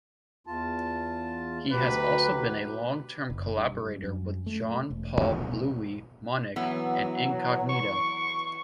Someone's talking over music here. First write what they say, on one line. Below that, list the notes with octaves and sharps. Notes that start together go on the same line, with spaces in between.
He has also been a long-term collaborator with Jean-Paul 'Bluey' Maunick and Incognito.
E2 F4 A5
D2 F#3 G4 B4
F#1
G2
F#2
A3
E1
C#2
B2
E3 F#3 B3
C#6